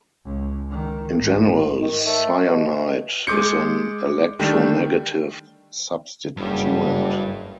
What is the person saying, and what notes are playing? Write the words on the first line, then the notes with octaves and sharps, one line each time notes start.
In general, cyanide is an electronegative substituent.
C#2
D#3
G#1
D#3
A3
B2
G#3 D6 G6 C#7
D3 D#3 G3 A3
F#1 G2 G3